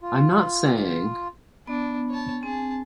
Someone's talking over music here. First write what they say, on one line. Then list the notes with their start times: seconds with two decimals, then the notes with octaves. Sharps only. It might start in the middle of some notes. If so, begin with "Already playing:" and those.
I’m not saying...
0.02 F4
1.67 B3 D4
2.09 C#5 A5
2.43 C4 G#4 A5